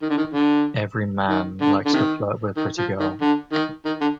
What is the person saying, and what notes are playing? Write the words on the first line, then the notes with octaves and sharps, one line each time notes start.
Every man likes to flirt with a pretty girl.
D#3
D3
D#3
D3
D#3
D3
D3
C3 D#3
D#3
F3
D#3
D3
D#3
D#3
D3